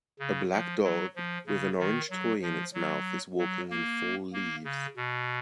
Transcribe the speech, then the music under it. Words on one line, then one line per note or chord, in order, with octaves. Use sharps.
A black dog with an orange toy in its mouth is walking in fall leaves.
C#3
F3
F#3
F3
C#3
D#3
F#3
F3
F#3
F#3
A#3
A#3
C#3
B2